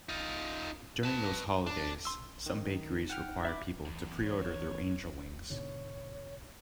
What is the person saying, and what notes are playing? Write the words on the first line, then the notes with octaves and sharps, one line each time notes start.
During those holidays, some bakeries require people to pre-order their angel wings.
D#4 F4
B4 A5
D4
C6 E6
D#3 D#4
F#5 G5 F6
E5 B5 D6
E2
C#5
G#2 B2 D3 C#5